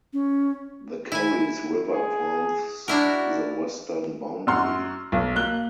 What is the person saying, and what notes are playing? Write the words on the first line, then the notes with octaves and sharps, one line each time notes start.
The Curries River forms the western boundary.
C#4
E4 G#5
G#4
D4 E4 F#4 A#4
F#2 F#4 C6 F6
B1
A#3 F#6 G7